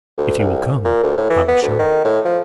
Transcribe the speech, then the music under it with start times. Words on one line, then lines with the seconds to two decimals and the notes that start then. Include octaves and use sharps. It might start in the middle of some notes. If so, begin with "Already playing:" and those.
'If you will come, I will show you.'
0.18 D2
0.39 C2
0.85 A#2
1.03 D2
1.17 A2
1.30 E3
1.48 B3
1.62 D2
1.79 D#3
2.05 A2
2.25 F3